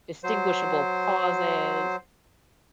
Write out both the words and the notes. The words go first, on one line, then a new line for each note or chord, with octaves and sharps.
distinguishable pauses,
F#3 C5